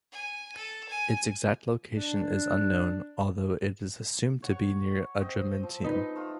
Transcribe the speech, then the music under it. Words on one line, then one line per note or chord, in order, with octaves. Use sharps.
Its exact location is unknown although it is assumed to be near Adramyttium.
G#5
A4
G#5
D4
C#5 F#5 C#6
C4 D#5 G5
F3
D#4 B4
A3 F4 A#5